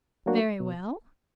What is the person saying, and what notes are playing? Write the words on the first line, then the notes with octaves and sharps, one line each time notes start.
'Very well.
F#3 A#3 D4 F#4
B2